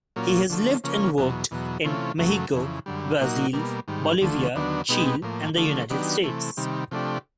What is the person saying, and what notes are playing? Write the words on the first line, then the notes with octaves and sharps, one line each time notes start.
He has lived and worked in Mexico, Brazil, Bolivia, Chile and the United States.
A#2 F#3 A#3 C#4 F4
D3 F3 A3
C#3 F3 A#3 C#4
E2 B2 F#3
E2 B2 F#3
C3 E3 A3 C#4 F4
F#2 C#3 F#3 A3
F2 C#3 E3
F#2 D3 G3
A#2 F#3 A#3 D#4 F#4
B2 G3 A#3
G#2 D#3 G3
D2 D3 F3 A3
D#2 D3 F#3 B3 D4
B2 G#3 B3 D#4 G4
A2 F3 A#3
D3 F3 A3
D#3 F#3 B3 D4 G4
C3 E3 A3
C3 D#3 G3
C3 F3 A3 D4 G4